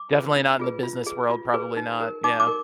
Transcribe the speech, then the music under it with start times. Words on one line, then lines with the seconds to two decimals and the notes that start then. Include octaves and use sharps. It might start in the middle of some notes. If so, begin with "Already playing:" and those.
Definitely not in the business world, probably not, yeah.
Already playing: D6
0.12 F4 G#4 B4
0.36 D4
0.60 F4 G#4 B4
0.83 F4
1.07 G#4 B4
1.30 F4
1.54 G#4 B4
1.77 D#4
2.00 A#4
2.24 D#4 D6
2.40 D6
2.47 A#4